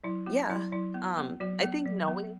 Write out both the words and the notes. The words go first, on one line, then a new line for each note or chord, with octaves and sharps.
yeah, um, I think knowing
F#3 E4
B3 F#4
F#3 E4
F#3 E4
B3
B3
F#3 F#4
B3
F#3
B3